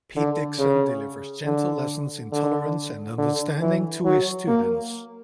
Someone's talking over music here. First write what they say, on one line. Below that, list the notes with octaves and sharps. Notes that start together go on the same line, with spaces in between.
Pete Dixon delivers gentle lessons in tolerance and understanding to his students.
D3
C#3
D3
D3
D3
E3
F#3
A#3